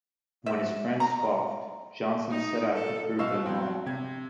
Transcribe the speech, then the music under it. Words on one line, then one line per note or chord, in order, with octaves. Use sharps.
When his friends scoffed, Johnson set out to prove them wrong.
E5
A#5
D#4
A4
B2 D#5 F5 C#6 E6
F#3 C4
C3 G#6